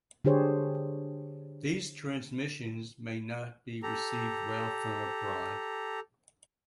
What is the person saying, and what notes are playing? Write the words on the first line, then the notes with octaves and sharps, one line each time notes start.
These transmissions may not be received well from abroad.
D3 D4 G4 G#4 C5 C#5
G4 A4 A#5